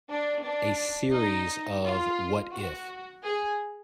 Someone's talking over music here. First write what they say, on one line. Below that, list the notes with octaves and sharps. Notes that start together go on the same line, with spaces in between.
A series of What If?
D4
D4
D#4
F4
F#4
G#4